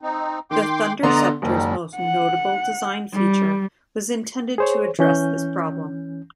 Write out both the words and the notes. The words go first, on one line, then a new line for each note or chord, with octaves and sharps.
The Thunderceptor's most notable design feature was intended to address this problem.
C4 D#4
D#3 G5 C6 D6
D3 B3 D5 D#5 A#5 C6
F#1 G#2 D#3 G3
F#5
G3
G#4 C5 C#5
E3 C#4 G6